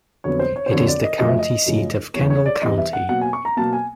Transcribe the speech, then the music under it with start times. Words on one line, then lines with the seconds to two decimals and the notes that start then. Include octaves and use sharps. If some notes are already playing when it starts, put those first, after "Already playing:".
It is the county seat of Kendall County.
0.24 F2 D3 F#3 B3 C#5
0.39 C5
0.56 C#5
0.66 C5
0.71 F2 D3 F#3 B3 C#5
0.88 D5
1.03 D#5
1.19 F#2 C#3 F3 A3 D#5
1.28 E5
1.39 D#5
1.66 F#2 C#3 F3 A3
2.14 E2 C3 E3 G3 B3 C#5
2.30 C#5
2.46 D5
2.62 E2 C3 E3 G3 B3 D#5
2.78 E5
2.93 F#5
3.09 B2 F#3 A#3 F#5
3.21 G#5
3.33 C#6
3.45 A#5
3.57 B2 F#3 A#3 A5
3.73 G#5